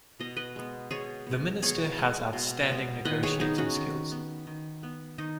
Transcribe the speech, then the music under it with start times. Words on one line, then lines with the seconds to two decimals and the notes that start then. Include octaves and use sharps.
The minister has outstanding negotiating skills.
0.20 B2 D#5
0.36 B4 D#5
0.56 G#3 B3
0.91 B2 G#4 C#5
1.27 G#3 B3
1.62 B2 G#4 C#5
1.98 G#3 B3
2.33 B2
2.69 G#3 B3
3.05 D#3 B4 D#5
3.23 G#4 C#5
3.40 B3 D#4 G#4
3.58 C#4 F#4
3.77 D#3
4.11 B3
4.47 D#3
4.83 B3
5.18 D#3 D#4